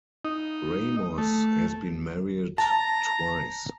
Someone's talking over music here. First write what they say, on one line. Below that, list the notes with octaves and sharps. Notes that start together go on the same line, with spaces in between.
Ramos has been married twice.
D#4
A3
A5 A#5